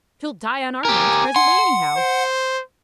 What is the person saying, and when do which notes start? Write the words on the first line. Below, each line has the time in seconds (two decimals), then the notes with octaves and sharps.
"She'll die on our hands presently, anyhow."
0.85 G4 A#4 G#5
1.36 F#5 C6
1.97 C5